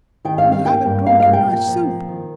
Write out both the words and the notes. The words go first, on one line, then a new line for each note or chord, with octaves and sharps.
"You haven't drunk your nice soup."
D#3 G5
F5
C4
F5
A#3 G5
G2
A#3 F5
F5
C3
G5
A#2
F3
C4
D#3